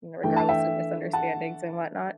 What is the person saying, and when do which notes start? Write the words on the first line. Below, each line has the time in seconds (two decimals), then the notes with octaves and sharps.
regardless of misunderstandings and whatnot.
0.23 E3 A3 D4 G5
0.36 A5
0.49 E5 G5
1.13 F#5 A5